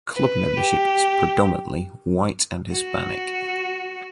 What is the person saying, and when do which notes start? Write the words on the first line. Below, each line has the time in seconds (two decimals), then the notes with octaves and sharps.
Club membership is predominantly white and Hispanic.
0.15 B4
0.58 G4
2.73 F#4